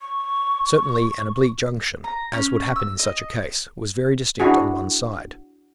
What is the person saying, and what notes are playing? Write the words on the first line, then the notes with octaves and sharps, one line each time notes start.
Certainly an oblique junction, as would happen in such a case, was very distinct on one side.
C#6
A#5
C#4
E6
D#5
D4 E4 F#4 G#4